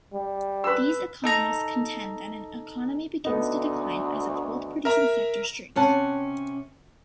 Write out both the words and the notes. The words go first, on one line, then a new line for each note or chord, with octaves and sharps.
These economists contend that an economy begins to decline as its wealth-producing sector shrinks.
G3
B4 E6
D#4 A4 A#5
D2 A3 B3 D#4
A#4 E5 A#5
C3 C#4 F#5 A5